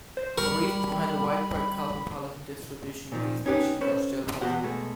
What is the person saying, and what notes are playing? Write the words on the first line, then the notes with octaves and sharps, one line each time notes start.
The reasons behind the widespread, cosmopolitan distribution of these species, are still puzzling.
C5
G3 A#4 B5 C#6
A#2 D#3 F3
C#4 D#4 G4 B4
C#4 A4 B4 C5
E2 B2 A3 F#4 G4 F#5
B2 G#3 A3